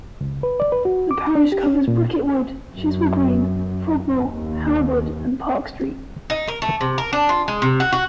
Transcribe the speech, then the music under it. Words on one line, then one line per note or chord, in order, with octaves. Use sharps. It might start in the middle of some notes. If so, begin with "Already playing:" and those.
The parish covers Bricket Wood, Chiswell Green, Frogmore, How Wood and Park Street.
C#2
B4
D5
B4
F#4
D6
D4
G4
C#4
A#2
F#2
D#2
D#4
A#4
A3
C3
A#4
D4
F4
G#3
C3
F#4
F#4